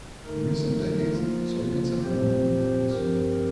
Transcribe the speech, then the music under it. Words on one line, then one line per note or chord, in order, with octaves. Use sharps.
In recent decades soybeans have grown in importance.
D3 A3 D#4 A#4
F3 A#3 F4
A#2 F3 C4 G4 C5
G2 F3 C4 G4 A#4